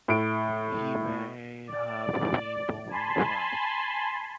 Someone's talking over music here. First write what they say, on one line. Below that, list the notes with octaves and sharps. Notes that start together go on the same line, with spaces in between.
He may have been born in France.
A2 D7
D5
G#5 A5 B5 C6